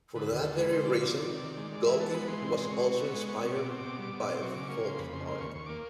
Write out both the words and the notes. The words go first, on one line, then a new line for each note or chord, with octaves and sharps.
For that very reason, Gauguin was also inspired by folk art.
D3 B4
D#2
D3 A4
G#3 B4
D3 C5
F3 D5
C3
D#3
C3
D#3
G#3
G#3
E3 E5
B3 A5
G#3 B5
E3 C6
C3
G#3
C3 C#6
C3
B3
G#3
B3
C3
B2 D6
C4
D6
B2
G3
B2
C4
F#3 C#6
C#3 D6
A#3 C#6
C#3 C6
F2 B5
C#3 C6
A#3 C6
D#2 C#6
D#2 C#6
A#3 D6